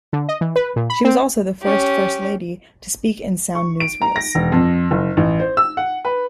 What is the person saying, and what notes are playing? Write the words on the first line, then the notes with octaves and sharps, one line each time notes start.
She was also the first First Lady to speak in sound newsreels.
D3
D#5
E3
B4
A#2
B5
C4
C#4 G4
C#6
D7
A#5
A#6
E1
F2
F#1
A1
C5
E6
F#5
B4